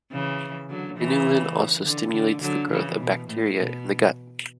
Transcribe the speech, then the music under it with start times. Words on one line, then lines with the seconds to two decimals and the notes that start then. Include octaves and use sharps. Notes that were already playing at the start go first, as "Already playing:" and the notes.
Inulin also stimulates the growth of bacteria in the gut.
0.12 C#3 E3
0.69 D3 F#3
0.98 C#3 E3
1.84 D3
2.13 D3
2.41 D3 F#3
2.70 C#3 E3
3.00 B2
3.28 A2
3.57 B2